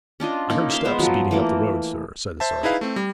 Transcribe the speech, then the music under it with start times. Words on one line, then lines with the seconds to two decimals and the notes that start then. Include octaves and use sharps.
'I heard steps beating up the road, sir,' said the sergeant.
0.20 C#4 D4 F4 D#5
0.50 A#3 C#4 D#4
0.70 E5 F5 C6
0.85 G#3 B3 C5 E5
0.99 F3 F#3
1.31 E3 A3 A#3
2.40 C5 E5 A5
2.63 D#4 E4 G#4 B4 F5
2.81 A3 C4
2.96 G3